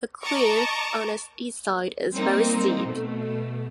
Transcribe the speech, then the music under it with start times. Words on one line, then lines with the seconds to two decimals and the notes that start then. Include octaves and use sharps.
The cliff on its east side is very steep.
0.22 D#5 A5 A#5 C#6 D6
2.14 G3 A#3 C4 D#4 A#4
2.86 B2 A3